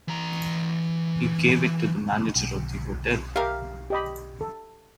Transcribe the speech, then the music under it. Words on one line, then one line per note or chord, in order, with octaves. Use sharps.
He gave it to the manager of the hotel.
E3 A#5
B1
G4 A#4 E5 F5
G4 D#5 B5
A4